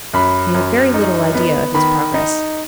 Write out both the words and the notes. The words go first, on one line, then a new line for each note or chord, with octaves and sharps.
He had very little idea of his progress.
F#2 B5
F#2
D#4
B3
D#3 B5
D#4